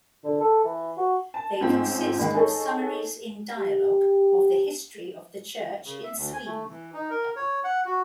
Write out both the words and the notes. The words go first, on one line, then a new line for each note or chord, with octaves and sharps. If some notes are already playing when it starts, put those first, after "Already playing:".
They consist of summaries in dialogue of the history of the church in Sweden.
D3
A4
E3
F#4
A5
G#2 F3 C4 C#4
E2 D#3 G#3 F#5
D#4 G#4 A4 C#5
G4
C#3
E5
D2
G#5
A3
E3
D#4
A#4
C#5
F#5
F#4